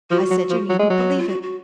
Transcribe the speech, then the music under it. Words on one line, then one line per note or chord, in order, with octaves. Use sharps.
I said, you need n't believe it.
F3 F#4
F#3
F3
F#3
G#3
F#3
F#4
F4
F#4
F#4